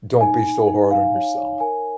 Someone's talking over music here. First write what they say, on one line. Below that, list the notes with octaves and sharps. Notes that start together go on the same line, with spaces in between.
don't be so hard on yourself.
D#4 G#5
D#4
D#4
D#4 F5
C#5
C#5
A#4 G#5